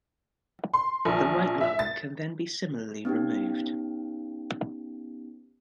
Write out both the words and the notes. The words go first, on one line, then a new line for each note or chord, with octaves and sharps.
The right lung can then be similarly removed.
C6
A#1
E5
A6
B3 C#4 D#4 G4